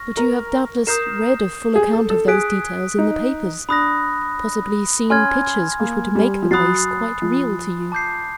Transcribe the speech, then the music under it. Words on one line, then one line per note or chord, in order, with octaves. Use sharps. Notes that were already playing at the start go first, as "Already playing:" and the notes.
But you have doubtless read a full account of those details in the papers; possibly seen pictures which would make the place quite real to you.
Already playing: C#6 F6 A#6
A#4
A#4 D#6 G6 C7 E7
G#4
A4
A4
G#4 D#6 F#6 B6 D7
D#4
D4 B5 D#6 F#6 A#6
C#4 G#5 C6 F6 G#6
A#3
G3
F3
F#3 B5 D#6 F#6 A6 C7
F3
A5 D6 G6 C7